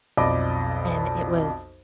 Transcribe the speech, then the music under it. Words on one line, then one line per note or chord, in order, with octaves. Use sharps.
And it was
B1 F2 D5 D#5 B5 D6